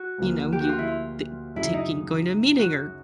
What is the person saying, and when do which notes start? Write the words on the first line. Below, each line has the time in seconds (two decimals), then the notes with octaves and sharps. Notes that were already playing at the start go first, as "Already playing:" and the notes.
”you know, you ta taking, going to a meeting or“
Already playing: F#4
0.18 D2 D3 F3 A#3
0.52 G4
0.60 F#4
0.69 F4
0.79 E4
0.87 F4
1.56 F#2 C#3 F#3 E4
1.74 D#4
2.59 F#4